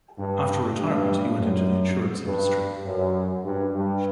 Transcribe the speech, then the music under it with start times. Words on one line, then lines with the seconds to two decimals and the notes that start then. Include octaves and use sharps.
After retirement, he went into the insurance industry.
0.19 G2
0.78 G2
1.37 F#2
2.26 G2
2.86 F#2
3.44 G2
3.74 G2